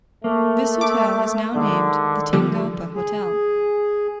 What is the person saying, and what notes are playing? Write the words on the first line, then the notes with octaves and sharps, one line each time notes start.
This hotel is now named the Tingalpa Hotel.
A3 A#3
D6
D3 D#3 G#3
D3 F3 G3
G#4